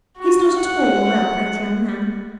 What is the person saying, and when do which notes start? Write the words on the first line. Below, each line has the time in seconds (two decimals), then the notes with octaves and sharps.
He is not at all a well-bred young man.
0.17 F#4
0.59 F#5